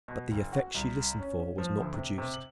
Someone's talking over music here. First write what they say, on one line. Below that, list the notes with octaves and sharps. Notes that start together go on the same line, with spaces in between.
But the effect she listened for was not produced.
B2
F#1
F#4
C2
C#4
F3
D2
C3
C3
F#7